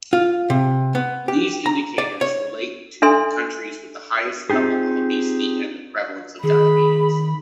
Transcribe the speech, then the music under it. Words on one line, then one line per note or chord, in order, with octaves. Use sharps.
These indicators relate to countries with the highest levels of obesity and the prevalence of diabetes.
F4
C3
B3
G4
A#5
D5
C#5
D4 A4 E5 G#5 C6
C4 D#4 F4 G4 G#4
D#3 G#4 B5